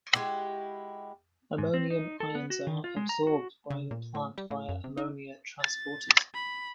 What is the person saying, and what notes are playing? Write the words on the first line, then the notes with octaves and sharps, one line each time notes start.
Ammonium ions are absorbed by the plant via ammonia transporters.
G#3 E4 F#4 G4
G#2
C4
D#4
A4
B3
F#4
D#3
F4
G#3
A#5
F#4
C#3
A#2
A2
G3
A2
F#2
C3
D#4
A6
B5